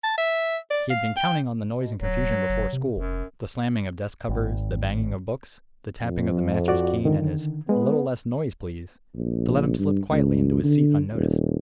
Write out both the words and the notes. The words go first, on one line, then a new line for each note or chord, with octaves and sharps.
He had been counting on the noise and confusion before school,--the slamming of desk covers, the banging of books, the tapping of the master's cane and his "A little less noise, please,"--to let him slip quietly into his seat unnoticed.
A5
E5
D5
F5
G5
B2
D1 F#3
F#1
C3
F1 F#2
G#1
F2
F#4 D5
D3 D#3
G#3 B3
A#1
G2
C#2
D3
D#1